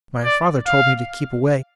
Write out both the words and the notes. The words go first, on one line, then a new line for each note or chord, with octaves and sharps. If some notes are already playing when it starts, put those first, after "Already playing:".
My father told me to keep away.
D5
F5